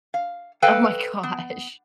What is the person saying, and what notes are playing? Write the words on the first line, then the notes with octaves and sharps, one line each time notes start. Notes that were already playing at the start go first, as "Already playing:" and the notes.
Oh my gosh.
F5
A4 B4 D#5 F5 G5
B3